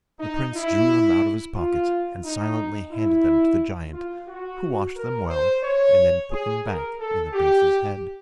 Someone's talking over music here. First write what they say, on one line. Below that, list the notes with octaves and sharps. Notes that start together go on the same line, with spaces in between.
The prince drew them out of his pocket, and silently handed them to the giant, who washed them well, and then put them back in the prince's head.
D#4
E4
F4
D#4
E4
F4
F#4
A#4
C5
C#5
G#4
A#4
A4
G4